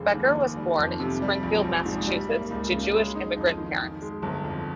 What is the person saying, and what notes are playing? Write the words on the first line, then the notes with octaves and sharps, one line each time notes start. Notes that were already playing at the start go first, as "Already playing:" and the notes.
Becker was born in Springfield, Massachusetts, to Jewish immigrant parents.
Already playing: F1 C#3 G#3
D#2
D#3
G3
F2
C3
G3
A#1
A#1
G#2
G3
A#3
C#2
C#3
G#3
D#4
F2
D#3
D#3
G#3
G1
F2